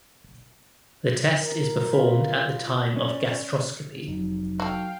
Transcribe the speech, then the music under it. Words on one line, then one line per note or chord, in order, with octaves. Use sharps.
The test is performed at the time of gastroscopy.
A#4
F4 B4
C#4 D5
F1 F#3 D#4
F#4 A4 F5 G5